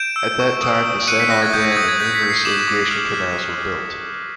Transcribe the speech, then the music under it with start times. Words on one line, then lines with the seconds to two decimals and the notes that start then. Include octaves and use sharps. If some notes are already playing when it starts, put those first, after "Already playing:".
At that time the Sennar Dam and numerous irrigation canals were built.
Already playing: G6 D7 E7
0.16 E6
0.40 C#6
0.62 D#6
0.85 D#6
1.08 F#6 C#7 D#7
1.20 B6 C#7
1.30 F#6 A#6
1.42 G#6
1.53 D#6 G6
1.65 G6
1.72 G#6
1.76 D#6 G6
1.88 G#6
2.00 G6 B6
2.15 B6
2.22 G6
2.30 C7
2.45 D6 E7 F#7
2.68 D6
2.91 F6
3.14 F6